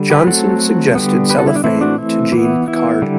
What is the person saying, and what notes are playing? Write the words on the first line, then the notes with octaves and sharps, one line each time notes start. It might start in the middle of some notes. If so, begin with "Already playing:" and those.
Johnson suggested cellophane to Jean Piccard.
Already playing: D3 G3
G4 B4
F#3 A3 C4 F#4 A4
D3 G3 B3
G4 B4
F#4 A4
E4
D4
E3 A3 C4 E4
D4 F#4
E4
E3
B3
E4
D3 G3